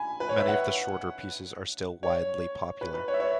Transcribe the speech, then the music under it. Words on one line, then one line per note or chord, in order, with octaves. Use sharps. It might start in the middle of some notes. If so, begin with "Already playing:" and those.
Many of the shorter pieces are still widely popular.
Already playing: G#5 B5
B4
C#5
E5
F#5
C#5
B4
B4
C#5
E5
C#5